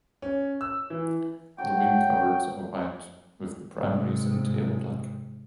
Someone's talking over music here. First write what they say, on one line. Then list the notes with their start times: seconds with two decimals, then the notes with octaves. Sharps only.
The wing coverts are white with the primaries and tail black.
0.22 C#4
0.61 E6
0.90 E3
1.58 F#4 A4 C#5 G5
3.77 G#2 C3